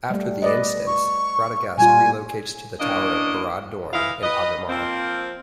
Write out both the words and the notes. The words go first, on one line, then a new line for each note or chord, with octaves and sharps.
After the instance, Radagast relocates to the tower of Barad Dhorn in Agamaur.
G3 A3
B4 D5 D#5
C#6
A#2 G3 F4 G#5
E3 A#3 C#4 D4 D#5
E3 E4 D#5 F5
B4 D#5
F3 A#3 C4